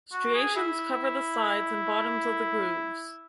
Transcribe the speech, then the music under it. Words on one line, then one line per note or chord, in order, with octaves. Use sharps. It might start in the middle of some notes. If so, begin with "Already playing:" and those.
Striations cover the sides and bottoms of the grooves.
F#4
G#4
E4